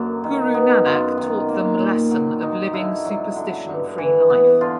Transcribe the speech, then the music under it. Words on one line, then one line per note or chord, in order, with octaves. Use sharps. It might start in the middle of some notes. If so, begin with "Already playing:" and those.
Guru Nanak taught them lesson of living superstition free life.
Already playing: F#2 D3 A#3 F#4
D#3
B3
F#2 F4
D#3
A#3
A#2
F#3
D#4
D3 E4
F#3
D3
G2
E3
B3
D3 F4